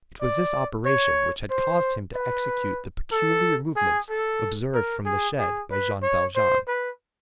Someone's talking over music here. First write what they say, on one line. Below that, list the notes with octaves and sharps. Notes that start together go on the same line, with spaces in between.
It was this operation which had caused him to execute the peculiar movements observed from the shed by Jean Valjean.
D5
C#5
C5
B4
A4
G#4
A4
A#4
G#4
G#4
B4
C#5
C5
B4